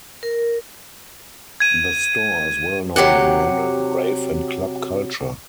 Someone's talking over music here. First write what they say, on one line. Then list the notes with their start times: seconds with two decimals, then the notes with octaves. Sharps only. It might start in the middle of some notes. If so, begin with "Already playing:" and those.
The store is well known in London rave and club culture.
0.23 A#4
1.60 G#6 D#7
2.96 C3 F#3 G4 F#5